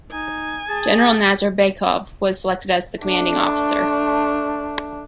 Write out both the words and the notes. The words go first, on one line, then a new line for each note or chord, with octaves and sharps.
General Nazarbekov was selected as the Commanding Officer.
D#4 G#5
G#4 A5
A3 D4